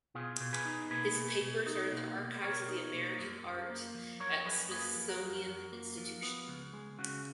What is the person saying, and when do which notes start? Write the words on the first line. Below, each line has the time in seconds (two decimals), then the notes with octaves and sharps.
His papers are in the Archives of American Art at Smithsonian Institution.
0.15 B2 F4 G#4
0.40 B2
0.53 G#4 B4
0.65 D#4
0.90 A#3 G#4 B4
1.16 B2
1.42 B2
1.66 D#4
1.92 A#3
2.17 B2
2.42 B2 A#4 C#5
2.68 D#4
2.94 A#3
3.18 F#2
3.44 F#2
3.70 A#3
3.95 F3
4.20 F#2 A#4 C#5
4.45 F#2 G#4 B4
4.71 A#3 G#4 B4
4.96 F3
5.09 F#4 A#4
5.21 F#2
5.47 F#2
5.72 A#3
5.98 F3
6.23 B3
6.48 C#2
6.73 G#3
6.99 C#3 F#4